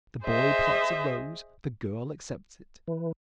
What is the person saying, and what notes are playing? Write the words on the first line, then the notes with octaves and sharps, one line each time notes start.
The boy plucks a rose: the girl accepts it.
G#4 C5 D#5 E5
E3